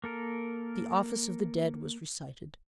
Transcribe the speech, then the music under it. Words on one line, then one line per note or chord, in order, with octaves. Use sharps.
The Office of the Dead was recited.
A#3 A4 A#4